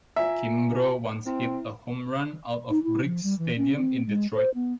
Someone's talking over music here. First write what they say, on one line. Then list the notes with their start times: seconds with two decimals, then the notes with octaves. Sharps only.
Kimbro once hit a home run out of Briggs Stadium in Detroit.
0.16 F4 E5 G#5 A#5
1.27 C4 E4
2.70 D#4
2.83 E4
3.04 F3
3.23 G3
3.39 E3
3.57 C#4
3.76 C4
4.06 G#3
4.35 C5
4.54 B3